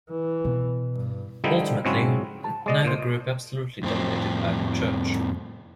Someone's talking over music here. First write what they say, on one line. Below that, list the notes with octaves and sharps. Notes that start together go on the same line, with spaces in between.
Ultimately, neither group absolutely dominated either church.
E3
B2
G2
D3 D#3 F3 G3 D#4 E4
G#2 C#3 F#3 C4 C#4 E4
A5
G#3 D5 D#5
A#2 C5
F2 A2 C4